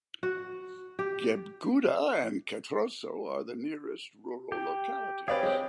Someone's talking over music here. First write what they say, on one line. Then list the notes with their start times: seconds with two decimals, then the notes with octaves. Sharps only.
Gebguda and Katroso are the nearest rural localities.
0.23 F#4
0.99 G4
4.52 G4
5.28 C4 G4 G#4 B4 C#5 D5 F5
5.43 G#3